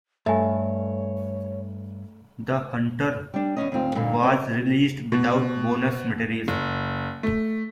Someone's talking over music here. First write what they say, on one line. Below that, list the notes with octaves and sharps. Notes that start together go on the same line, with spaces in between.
"The Hunter" was released without bonus material.
G2 A3 A4 C#5 E5 G#5
G3 D4
E2 B2 C#4 D#5
D2 G#2 C4 F4
G2 A#2 D3 A#3 D#4
C4 A#4
B2
F#1
A3